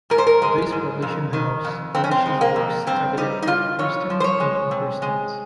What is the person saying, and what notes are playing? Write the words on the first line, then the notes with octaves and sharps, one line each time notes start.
This publishing house publishes books targeted at Christians and non-Christians.
G#2 A#4
C5
A#4
G#3
G#2
F2
D#3
F2
F2 C4
C#4
C4
G#3
A#3
F2
G2 C4
G3 D#4
D#4
G2 F4
F2 C#5
F3
C5
C#5
G#3
C3
G#3